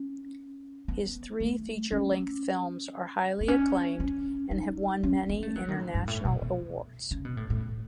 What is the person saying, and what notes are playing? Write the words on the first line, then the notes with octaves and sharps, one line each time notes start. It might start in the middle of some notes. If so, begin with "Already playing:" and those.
His three feature length films are highly acclaimed and have won many international awards.
Already playing: C#4
B3
A3
C#4
B3
C#4
C#4
D#4
C#4
B3
A3
F#3
D#3
A2
G#2
A2
B2
B2
C#3
B2
A2
A2